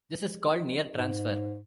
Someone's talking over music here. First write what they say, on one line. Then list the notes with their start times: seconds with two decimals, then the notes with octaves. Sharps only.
This is called near transfer.
0.96 G#2